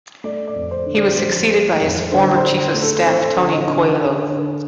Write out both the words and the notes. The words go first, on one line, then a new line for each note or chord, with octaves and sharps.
He was succeeded by his former chief of staff, Tony Coelho.
A3 D5
D5
F2
C5
D3
D5
F3 C5
A3
F2
D3 C5
D5
C5
D3
A3
A4
C4 C5
D3
D#5
D3
D3
D3